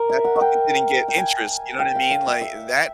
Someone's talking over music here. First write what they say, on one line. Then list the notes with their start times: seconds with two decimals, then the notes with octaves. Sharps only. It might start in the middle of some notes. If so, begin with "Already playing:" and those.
that bucket didn't get interest, you know what I mean, like that
Already playing: A#4
0.09 E5
0.24 F#5
0.36 F#5
0.41 G5
1.08 G5
1.18 G#5
1.79 G5
1.95 F5
2.11 F5
2.27 E5
2.41 E5